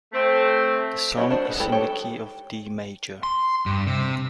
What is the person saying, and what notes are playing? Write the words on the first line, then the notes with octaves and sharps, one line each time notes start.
The song is in the key of D major.
A3 C4
E4 F#4 G4 C#5 D#5
D4 C5 F#5 A5
G#4 A4 B4
G#3 E4 G4 A4 B4
D#4 G4 A4 C#5
C6
G2
C3